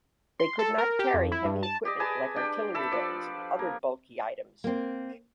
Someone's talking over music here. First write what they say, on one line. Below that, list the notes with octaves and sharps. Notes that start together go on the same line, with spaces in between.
They could not carry heavy equipment like artillery weapons and other bulky items.
C6
A4
A#4
G4
F2
E4
G2
A5
G4 D5 D#5
G#4 B4 G#5 A5
D4 G4 G5
A4 E5 A5 B5
F3 D5
A#3
A#3 C4